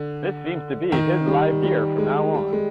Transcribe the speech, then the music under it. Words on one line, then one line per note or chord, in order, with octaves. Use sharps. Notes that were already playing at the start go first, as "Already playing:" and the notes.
This seems to be his live gear from now on.
Already playing: D3
D#3
G3
G3
G#3
G3
G#3